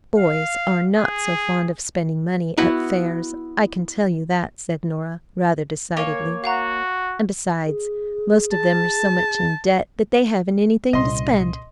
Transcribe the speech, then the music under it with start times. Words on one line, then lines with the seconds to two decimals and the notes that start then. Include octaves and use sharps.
"Boys are not so fond of spending money at fairs, I can tell you that," said Nora, rather decidedly, "and besides most of them are so much in debt that they haven't anything to spend."
0.18 F5
0.96 G#4
2.57 B3 E4 F#4 B4
5.96 A#3 C#5 G#5
6.44 F#4 F5 F#5 A#5
7.66 G#4
8.52 A5
10.93 C2 A#2 C#3 D#5 C6